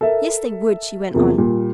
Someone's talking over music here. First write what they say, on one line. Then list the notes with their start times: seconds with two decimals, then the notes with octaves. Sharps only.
"Yes, they would," she went on.
0.01 A4 A#4 E5
1.14 E2 C3 F3 A#3
1.38 A#2 G3